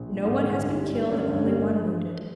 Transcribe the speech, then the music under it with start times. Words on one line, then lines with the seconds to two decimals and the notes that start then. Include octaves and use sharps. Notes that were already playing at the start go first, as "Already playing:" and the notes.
No one has been killed and only one wounded.
Already playing: A#1 C4
0.09 G#3
0.25 G#2
0.42 D3
0.59 G1
0.76 G3
0.93 G2
1.10 D3 C#4
1.27 G1
1.44 G3
1.61 G2